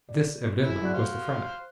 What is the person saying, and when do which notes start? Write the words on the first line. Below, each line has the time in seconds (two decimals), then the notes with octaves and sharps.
This, evidently, was the front.
0.09 D5
0.63 G#3 E4
0.81 F#3 D5 F#6
0.94 F#4 G4 C5 F5